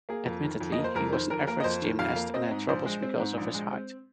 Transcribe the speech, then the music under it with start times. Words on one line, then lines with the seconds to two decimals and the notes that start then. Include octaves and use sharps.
Admittedly, he was an average gymnast and had troubles because of his height.
0.09 A#3 G#4
0.26 F2
0.44 D#3
0.60 F2
0.72 D#5
0.78 A#3
0.84 C5
0.95 F2 A#4
1.12 D#3 C5
1.30 F2 A#4
1.47 A#3 A#4
1.60 D#5
1.64 F2 C5
1.82 D#3
1.99 F2 F5
2.16 A#3
2.34 C4 D#5
2.51 G#2
2.69 A#1 C5
2.86 G#3
3.03 C4
3.20 G#2
3.38 A#1
3.54 G#3
3.72 C4